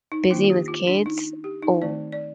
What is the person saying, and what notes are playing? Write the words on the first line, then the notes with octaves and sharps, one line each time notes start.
busy with kids or
D#4
D#3 A#3 D4 F4
F4
G4
F4
D4
D#4
G4
D#4
D#3 A3 C4 D5
D5